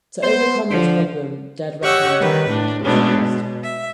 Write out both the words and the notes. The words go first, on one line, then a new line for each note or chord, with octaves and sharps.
To overcome this problem, dead reckoning technique is used.
B3 C5
D3 F3 C5
G4 C#5 D#5 F#5 C#6 E6
D#3 G3 B4
A2 D4
B2 G#3 A3 B3 C#4 D4
B2
E5